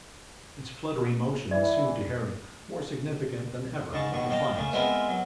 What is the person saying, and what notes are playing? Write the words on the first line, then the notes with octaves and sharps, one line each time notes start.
Its fluttering motions seemed to Harry more significant than ever of defiance.
E3 D5
G#2 C#3 A5 C#6
D#2 B2 C#6
D#5 F5 G5 A5 A#5
C#3 A3 A#3
G#3 B3 C4 F4 A#4 E5
F#3